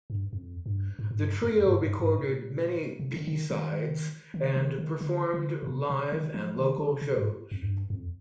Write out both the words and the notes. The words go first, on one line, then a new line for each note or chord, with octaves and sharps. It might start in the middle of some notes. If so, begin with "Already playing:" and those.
The trio recorded many b-sides and performed live and local shows.
G2
F2
G2
G#2
G#2
G2
F2
G2
G2
G2
G#2
A#2
C3
D3
D3
D#3
D#3
D#3
D#3
D#3
D3
D3
A#2
C3
C3
D#3
F3
D#3
D3
C3
G#2
F2
G#2
G2
F2